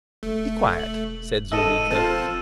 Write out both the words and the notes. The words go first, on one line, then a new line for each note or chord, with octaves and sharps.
"Be quiet," said Zuleika.
E1 A3
F#7
G#1 G#2 A4 D#5 E6 D#7 E7
F3 C4 F4 A4 A5